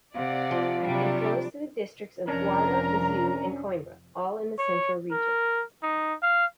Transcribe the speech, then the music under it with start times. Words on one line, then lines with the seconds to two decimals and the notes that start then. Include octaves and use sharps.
It flows through the districts of Guarda, Viseu and Coimbra, all in Centro Region.
0.15 C3 D5 F5 F#5
0.51 F3
0.85 C3 F#3 G3 D4 D5
2.28 F1 C3 F3 C#4 D4 A#4 A#5
4.59 C#5
5.11 A#4
5.83 D#4
6.22 F5